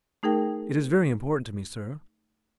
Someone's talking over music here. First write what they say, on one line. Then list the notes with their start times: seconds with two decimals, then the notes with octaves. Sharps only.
"It is very important to me, sir."
0.23 A3 D#4 G#4 A#4 G5